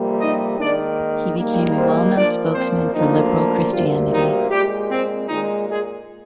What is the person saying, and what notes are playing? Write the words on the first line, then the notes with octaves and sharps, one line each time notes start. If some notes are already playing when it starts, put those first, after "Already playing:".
He became a well-known spokesman for liberal Christianity.
Already playing: F2 C3 G3 A#3
D#4 D#5
G#2 D#3 A#3 D4 D5
G#2 D#3 G3 A#3
C4 C5
A#2 F3 A#3 D4 D5
C4 C5
D2 D3 D#3 F3 A#3 D#4
D2 C3 F3 G3 A#3 F4
D#3 D#4
A#2 G3 G#3 G4
C4
A#2 D#3 G#3 D#4
G#3 G#4